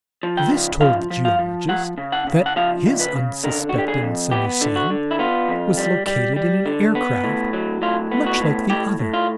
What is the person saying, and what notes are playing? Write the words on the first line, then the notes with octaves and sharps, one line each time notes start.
This told the geologist that his unsuspecting Sanusian was located in an aircraft much like the other.
F3
G5
C#3
F3 F5
F3
F5
F3
F3 F#5
C#3
F#5
C#3
F#5
F3 F5
C#3
B4
C#3
D3 A#4
F#4
D3 G4
G#4
F2
B3 G4
D3
F#4
D3
E4
B3 F4
F2
G3
G3
G3
D3
B3
A2
F#3
A2 F4
B3
F#4
A2
A2 G4
A2
F4